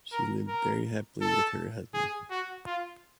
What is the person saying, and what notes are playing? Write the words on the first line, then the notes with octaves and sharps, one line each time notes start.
She lived very happily with her husband.
A#4
A#4
A4
G#4
F#4
F4